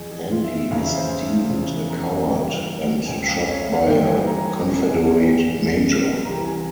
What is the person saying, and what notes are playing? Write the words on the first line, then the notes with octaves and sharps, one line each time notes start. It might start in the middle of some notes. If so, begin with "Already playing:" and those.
Andy is deemed a coward and shot by a Confederate major.
Already playing: F2 E3 G#4
G#4
F4
E5
E5
E2 C#3 E3 F5
E5
C5
E5
E2 C#3 F3
A#5
G#5
G2 E3 G5
F5
C#2 C#3 F3 G#5
G5
F5
C#5
E5
F5
G2 E3 G5
G5
G#5
A#5
G#5
E2 C#3 F3
G#5
G#5
G5
G#5
G2 E3
C2 C3 E3 A#5
G#5